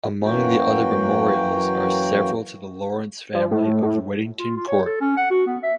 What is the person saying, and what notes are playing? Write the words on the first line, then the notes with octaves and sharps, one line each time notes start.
Among the other memorials are several to the Lawrence family of Whittington Court.
F#2 E3 F#3 A#3 F#4 G5
F3
A2
A2
F4
F4
C#5
A4
C#4
F#5
F#4
B3
E5